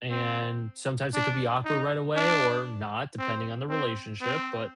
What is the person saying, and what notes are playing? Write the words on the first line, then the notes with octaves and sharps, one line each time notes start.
and sometimes it could be awkward right away or not depending on the relationship, but,
C4
D4
D#4
D4
C4
C4
C4